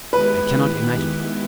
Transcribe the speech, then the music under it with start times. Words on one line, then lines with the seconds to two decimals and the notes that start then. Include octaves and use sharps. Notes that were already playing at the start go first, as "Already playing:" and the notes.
I cannot imagine.
0.12 D#3 G#3 B3 E4 G4 B4